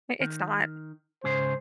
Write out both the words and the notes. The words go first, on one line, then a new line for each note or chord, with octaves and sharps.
I it's not.
D#3
G#2 C#3 G#4 C5